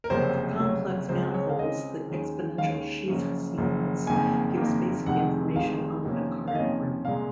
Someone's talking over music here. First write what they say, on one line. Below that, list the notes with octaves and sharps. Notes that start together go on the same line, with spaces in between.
For complex manifolds the exponential sheaf sequence gives basic information on the Picard group.
A#4
F#1 F2 C3 F#3 C5
F#1 F2 C3 F#3
C#2 C#3 G#3 C4 C5
C#5
F5
C#2 C#3 G#3 C4 D#5
D#2 D#3 G#3 C#4
D#2 D#3 G#3 C#4 F5
F#1 F#2 F3
F#1 F#2 F3
F#1 F2 D#3 A#3 G#5
F#1 F2 D#3 A#3
F1 F2 C3 D#3 G#3 F#5
F1 F2 C3 D#3 G#3 F5
F2 C3 D#3 A#3 C#4
F5
F2 C3 D#3 A#3 C#4 D#5
C2 A#2 G#3 F5